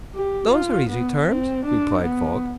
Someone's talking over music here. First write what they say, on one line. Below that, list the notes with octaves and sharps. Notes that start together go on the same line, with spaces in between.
"Those are easy terms," replied Falk.
G4
F4
B3
C4
D4
B3